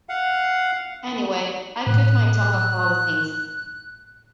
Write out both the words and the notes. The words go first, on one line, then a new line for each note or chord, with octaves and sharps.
Anyway, I cut my tongue of all things.
F5 F#5
A2 F#6